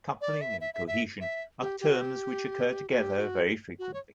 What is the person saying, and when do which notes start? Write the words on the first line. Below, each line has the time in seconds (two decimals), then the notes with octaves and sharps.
Coupling and cohesion are terms which occur together very frequently.
0.21 D5
0.41 E5
0.61 E5
0.74 E5
0.87 E5
1.21 E5
1.60 G4
1.80 G4
1.90 F#4
2.01 G4
2.89 F#4
2.99 G4
3.19 F#4
3.79 F#4
3.94 C#5